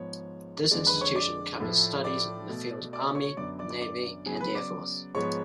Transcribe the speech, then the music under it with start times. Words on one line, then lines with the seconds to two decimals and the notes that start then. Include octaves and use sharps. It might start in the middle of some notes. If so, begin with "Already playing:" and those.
This institution covers studies in the field of army, navy, and air force.
Already playing: G#2 F3 G#3 B3 C#5
0.71 F2 D3 G#3 D5
0.87 B4 B5
1.01 C#5 C#6
1.15 D5 D6
1.60 A2 F3 A3
2.04 D5 D6
2.49 B2 A3
2.93 D5 D6
3.15 C#5 C#6
3.37 F#2 D3 F#3 B3 D5 D6
3.59 D5 D6
3.70 D5 D6
3.82 D5 D6
4.26 C#3 F#3 B3 G#4 G#5
4.40 B4 B5
4.55 D5 D6
5.15 G#2 F3 G#3 B3 C#5 C#6